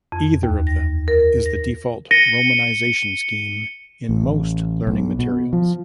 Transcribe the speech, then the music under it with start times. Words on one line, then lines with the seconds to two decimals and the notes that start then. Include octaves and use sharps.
Either of them is the default romanization scheme in most learning materials.
0.12 F2
0.43 D#2
0.67 A#6
1.08 A#4
1.46 A#6
2.11 A#6 C#7 D#7 G7
4.09 A1
4.87 B1
5.19 B2
5.53 F3